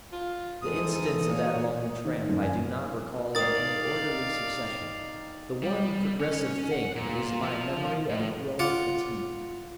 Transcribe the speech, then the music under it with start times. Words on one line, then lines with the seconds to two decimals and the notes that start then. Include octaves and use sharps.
The incidents of that long tramp I do not recall in any orderly succession, the one progressive thing is my memory of a growing fatigue.
0.12 F4
0.62 E2 G#2 E3 A4 D#6
1.25 A#2 F#4 C#5
2.05 D#3
2.29 F#2
2.43 G#5
3.35 D#3 D5 F5 D#6 A6
5.63 G3
6.20 C#4
6.71 F#5
6.96 A#2
7.42 F3
8.09 A2
8.59 F4 D5 F#5